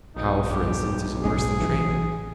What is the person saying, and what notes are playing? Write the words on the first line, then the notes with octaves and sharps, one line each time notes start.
How, for instance, is it worse than trade?
B1 D#4
G2 G4
F#1 G#3 C#4 G#4
B2
A1 C3 E3